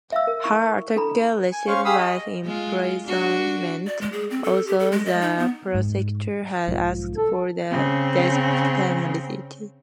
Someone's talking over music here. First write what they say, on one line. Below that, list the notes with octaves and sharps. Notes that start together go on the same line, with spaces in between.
Her attacker received life imprisonment, although the prosecutor had asked for the death penalty.
E5 F5 E6
A#4
E4 C#6
D4 E4 A4 A#5 B5
G#5
C#4 C5 F5 C#6
G4 G#4 F5 B5 D#6 E6
D#5
G#3 F4
D4 F#4
D5
G#3
G#4
C4
A4
G4
A4
G#3
D#5
D#4
B3
G#2
B1 G#2 F3
A4
C#3 C4